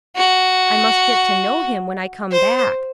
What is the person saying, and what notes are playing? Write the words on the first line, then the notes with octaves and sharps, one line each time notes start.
I must get to know him when I come back.
F#4
C5